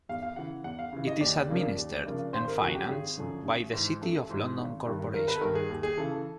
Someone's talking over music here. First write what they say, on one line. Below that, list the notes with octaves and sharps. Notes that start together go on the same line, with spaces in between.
It is administered and financed by the City of London Corporation.
E2 F5
F5
C#3 E3 F#5
E2 F#5
F5
C#3 E3
D#5
D#2 D5
C#3 F3 A#3 D4
D#2
C#3 F3 A#3 D4
G#1 C5
A#4
F#2 D3 F3 F#4
G4
G#1 G#4
F#2 D3 F3
A1
G#2 E3 G#3
A1 A4
G#2 E3 G#3
G#1
G2 D#3
G#1 A#4
B4
A4
G2 D#3 A#4
G#4
D#2
G#4
C#3 E3 A4
A4